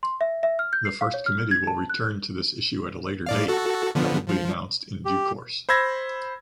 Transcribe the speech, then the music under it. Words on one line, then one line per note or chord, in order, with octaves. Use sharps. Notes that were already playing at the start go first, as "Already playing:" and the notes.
The First Committee will return to this issue at a later date that will be announced in due course.
C6
E5
E5
F6
G6
C7
F5
C#5
F6
G#6
A5
F#6
A2 D5 F5
F#4 A4
D3 F3 B3
F3
G4
C5 B5 E6 G#6 A#6